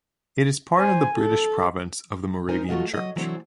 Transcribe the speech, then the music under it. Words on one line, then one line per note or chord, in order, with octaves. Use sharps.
It is part of the British Province of the Moravian Church.
C5 G#5
A4
G#3 D#4 A#4 C5 G#5
E3 F#3 A3 F4 F#4 D#5
F#3 D#5
C3 E3 F#3 A3 C4 D4